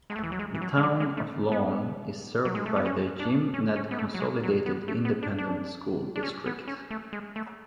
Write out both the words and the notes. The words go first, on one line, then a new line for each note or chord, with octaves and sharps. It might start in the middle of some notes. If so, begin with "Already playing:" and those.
The town of Lawn is served by the Jim Ned Consolidated Independent School District.
G#3
A3
E3
F#3
G#3
E3
F#3
G#3
F#3
G#3
A3
B3
F#3
G#3
A3
B3
C#4
D4
C#4
C#4
B3
A3
F#3
G#3
F#3
B3
A3
B3
D4
D4
D4
C#4
B3
C#4
A3
G#3
A3